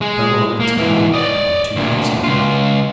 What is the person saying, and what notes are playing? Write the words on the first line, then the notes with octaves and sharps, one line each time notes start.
But go on and tell me what happened two days ago.
G#3
A#3
G#2 E3
D5 D#5
D2 A#2
C#2 F4